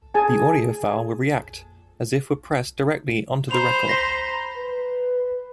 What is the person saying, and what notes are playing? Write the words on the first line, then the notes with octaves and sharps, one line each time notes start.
The audio file will react as if were pressed directly onto the record.
G#4 G#5 A5
C5 A#5 B5 F7
A#6 B6
B4